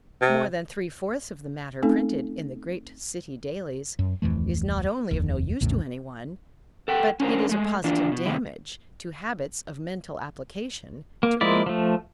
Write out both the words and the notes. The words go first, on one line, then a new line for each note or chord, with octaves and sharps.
More than three-fourths of the matter printed in the "great city dailies" is not only of no use to anyone, but it is a positive damage to habits of mental application to read it.
C3
A3 C4 C#4 D#4 A4
F#2
D1 F2 E3 A3
F1 D#2
A#1 E2 A2 C#3
A4 F#5 G5
C#4 D4 A#4 C5
G#3 A3
E3 D4 F4
B2
G2 C3 D#3 E4
A#3
F3 G#3 A#3 E4 D5
F3 A3